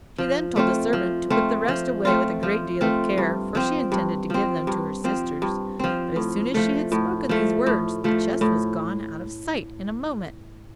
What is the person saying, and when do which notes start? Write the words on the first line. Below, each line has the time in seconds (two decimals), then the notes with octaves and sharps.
She then told the servant to put the rest away with a great deal of care, for she intended to give them to her sisters; but as soon as she had spoken these words the chest was gone out of sight in a moment.
0.18 F3
0.56 A3 C4 F4
0.93 F3
1.30 A3 C4 F4
1.68 F3
2.05 A3 C4 F4
2.43 F3
2.81 A3 C4 F4
3.18 G2
3.55 F3 C4
3.92 G2
4.30 F3 C4
4.67 G2
5.04 F3 C4
5.42 G2
5.79 F3 C4
6.16 A2
6.54 F3 A3
6.92 A2
7.29 F3 A3
7.67 A2
8.04 F3 A3
8.41 A2